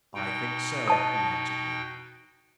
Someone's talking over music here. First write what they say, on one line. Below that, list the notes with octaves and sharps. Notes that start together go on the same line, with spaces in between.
"I think so," he answered me.
B2 D#4 G5
D#5 A5 D#6